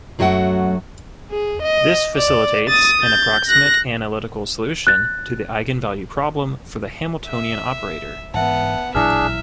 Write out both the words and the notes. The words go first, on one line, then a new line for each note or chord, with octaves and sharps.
This facilitates an approximate analytical solution to the eigenvalue problem for the Hamiltonian operator.
F#2 F#3 A3 F#4 F#5
G#4
D#5
D5
D#6 A6
G6 A6
F#6 A#6
F#6 A6
E5
G#2 E3 B3 E5 F#5 A5
A1 A#2 F#3 D4 E4 G#4 E5 F6